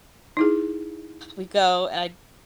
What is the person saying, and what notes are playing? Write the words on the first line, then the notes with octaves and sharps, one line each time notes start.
we go I
D#4 E4 G#4